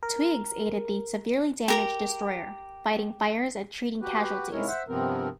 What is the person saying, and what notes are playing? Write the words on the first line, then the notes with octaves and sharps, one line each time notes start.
"Twiggs" aided the severely damaged destroyer, fighting fires and treating casualties.
A#4
G4 A#4 A#5
F#4 G4 B4
G#2 C3 G#3 E4 A#4 C#5
C5 E5 F#5
G2 C3 F3 B3 C4 A#4